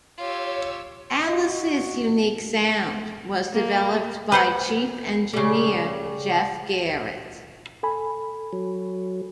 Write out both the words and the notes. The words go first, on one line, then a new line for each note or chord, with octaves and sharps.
Alice's unique sound was developed by Chief Engineer Jeff Garrett.
F4 G4 C#5 E6
F#4 D#5
A#3
B4 C5 F#5
C#3 G3
A4 G#5 B5
F#3